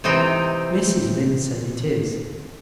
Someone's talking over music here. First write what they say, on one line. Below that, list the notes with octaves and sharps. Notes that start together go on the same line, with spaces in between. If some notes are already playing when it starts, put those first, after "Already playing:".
Mrs. Lynde says it is.
C3 E3 C4 D#4 G5